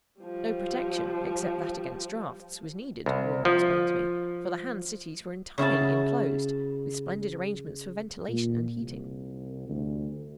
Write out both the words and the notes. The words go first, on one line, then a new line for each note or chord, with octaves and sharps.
No protection, except that against drafts, was needed, Wilma explained to me, for the Han cities were entirely enclosed, with splendid arrangements for ventilation and heating.
F3 G3
C2
F3
C#3 E4 F#4 A5
A#2
C2
D2